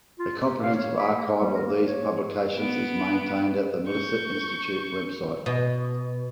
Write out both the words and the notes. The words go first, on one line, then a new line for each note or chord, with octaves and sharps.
A comprehensive archive of these publications is maintained at the Melissa Institute website.
F4
G4
F5
C#5
B5
A#3
G3
A#4
A#3
C#5
B3 D7
C#6 G6
B2